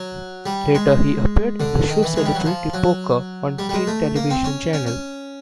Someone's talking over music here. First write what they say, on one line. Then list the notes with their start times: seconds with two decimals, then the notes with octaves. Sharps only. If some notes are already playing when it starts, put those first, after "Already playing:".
Later, he appeared in the show Celebrity Poker on Tien television channel.
Already playing: F#3
0.46 G3
0.75 G#3
1.60 D3
1.88 D#3
2.03 E3
2.16 G#3
2.26 G3
2.35 F#3
2.45 F3
2.74 F#3
3.59 G3
3.69 G3
3.73 G#3
3.87 A3
4.16 A#3
4.30 C4
4.44 C#4
4.73 C#4
4.87 C#4